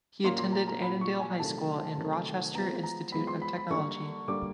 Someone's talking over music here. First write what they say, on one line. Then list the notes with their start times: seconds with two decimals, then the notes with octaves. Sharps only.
He attended Annandale High School and Rochester Institute of Technology.
0.24 A#2 F#3 A#3 C#4 C6
0.38 C6
0.52 A#5
0.67 A#5
0.81 A#2 F#3 A#3 C#4 B5
1.01 C#6
1.20 G#5
1.39 C3 D#3 F#3 A3 A5
1.97 C3 D#3 F#3 A3
2.55 F3 G#3 B3 A#5
2.83 A#5
3.12 F3 G#3 B3 B5
3.27 C6
3.42 B5
3.57 B5
3.70 D3 G3 A#3 C#6
4.28 D3 G3 A#3 D6